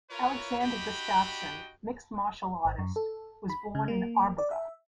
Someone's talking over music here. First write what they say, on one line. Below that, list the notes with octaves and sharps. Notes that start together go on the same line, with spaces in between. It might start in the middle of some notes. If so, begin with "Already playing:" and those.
Alexander Gustafsson, mixed martial artist, was born in Arboga.
E4 F4 A#4 B4 C#5
D4 F#4 G4 D#5 G5 B5
G#1
F#2
A4
B5
C#3
A#3
D5
E5